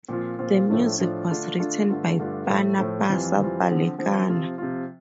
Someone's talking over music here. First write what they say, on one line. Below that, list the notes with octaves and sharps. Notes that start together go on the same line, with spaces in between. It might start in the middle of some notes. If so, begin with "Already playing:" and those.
The music was written by Panapasa Balekana.
A#2 F3 C4 F4
A#2 F3 C4 F4
A2 F3 A3 D4 F4
A2 F3 A3 D4 F4
D3 A3 D4 F4
D3 A3 D4 F4
G2 D3 A3 D4 F4
G2 D3 A3 D4 F4
A2 F3 A3
A2 F3 A3
F2 E3 G3 C4 F4
F2 E3 G3 C4 F4
D3 F3 C4
D3 F3 C4
C3 F3 C4 F4
C3 F3 C4 F4